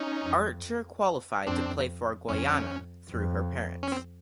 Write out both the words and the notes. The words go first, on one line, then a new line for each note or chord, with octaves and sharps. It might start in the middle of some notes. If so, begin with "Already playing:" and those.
Archer qualified to play for Guyana through her parents.
Already playing: C#4 D#4
F2
F2 C4 D4
F2 C#4
F2
C#4
C4